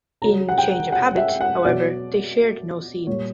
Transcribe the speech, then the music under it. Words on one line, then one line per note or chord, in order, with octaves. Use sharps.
In "Change of Habit", however, they shared no scenes.
C#3 F#3 A#5
F#5
G5
F#5
E5
F#5
B2 F#3 D5
A#2 G3 C#5